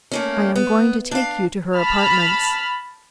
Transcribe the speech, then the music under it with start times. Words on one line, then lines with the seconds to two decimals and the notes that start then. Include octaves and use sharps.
I am going to take you to her apartments.
0.12 A3 A#3 C#4
0.56 B3
1.11 D4 F5
1.77 A5 B5 F6